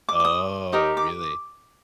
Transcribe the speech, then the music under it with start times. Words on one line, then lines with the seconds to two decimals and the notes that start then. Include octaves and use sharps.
Oh, really?
0.09 D6
0.20 D6
0.25 D#6
0.72 D#4 G4 A#4 D#6
0.97 D6